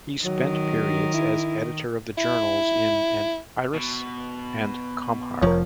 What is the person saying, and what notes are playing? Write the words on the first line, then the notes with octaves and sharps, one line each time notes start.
He spent periods as editor of the journals "An Iris" and "Comhar".
D#3 F#3
E4
E4
B2
F1 F3 A#4 C#5